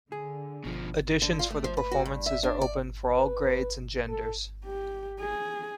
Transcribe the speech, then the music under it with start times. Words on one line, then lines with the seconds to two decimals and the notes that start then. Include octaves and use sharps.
Auditions for the performances are open for all grades and genders.
0.12 D3 G#4
0.64 B2 F3
1.22 D3
1.39 F4
1.50 A3
1.64 F3
1.77 B4
1.91 F#4
2.05 G2
2.26 E5
2.43 D4
2.61 D5
3.10 B4
4.09 A4
4.65 G4
5.20 G#4